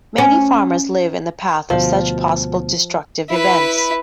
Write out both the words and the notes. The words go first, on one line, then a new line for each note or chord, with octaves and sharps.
Many farmers live in the paths of such possible destructive events.
C#4
D2 B2 F3
E4 B4